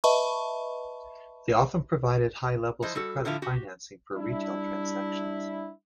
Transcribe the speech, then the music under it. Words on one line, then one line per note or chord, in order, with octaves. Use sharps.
They often provided high levels of credit financing for retail transactions.
B4 D#5 E5 A5 B5 C#6
F3 E4 C5 D#5
G3 F#4 A4
A2 D3 F3 E4 F4 A5
F#4 G4
G3 D4 E4